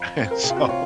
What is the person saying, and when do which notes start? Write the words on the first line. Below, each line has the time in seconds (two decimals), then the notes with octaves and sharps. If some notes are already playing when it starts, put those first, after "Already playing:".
And so,
Already playing: F2
0.18 C4
0.31 A#4
0.43 C3 G#4
0.50 F4
0.56 F#4
0.69 F4 C#5